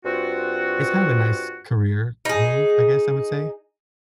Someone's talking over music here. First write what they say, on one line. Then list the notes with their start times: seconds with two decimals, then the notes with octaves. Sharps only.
it's kind of a nice career move, I guess, I would say.
0.04 G2 C4 F4 F#4
2.25 D#4 G#4